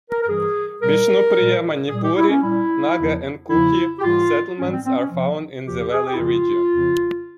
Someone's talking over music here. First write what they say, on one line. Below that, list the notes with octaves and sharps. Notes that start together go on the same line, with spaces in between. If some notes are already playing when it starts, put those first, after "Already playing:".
Bishnupriya Manipuri, Naga and Kuki settlements are found in the valley region.
A#4
A#4
G2 E3 G3 G#4
A#2 G3 A#4
A#2 G3
A#2 G3 G#4
G4
E4
C#4
A#2 G3 E4
E2 C#3 F3
E2 C#3 F3 E4
G4
G#2 E3 G3 F4
G#2 E3 G3 C#4
C4
C4
C#4
E2 C3 F3
E2 C3 F3 G4
G4
G#4
G4
E4
F2 C#3 F3 F4
F2 C#3 F3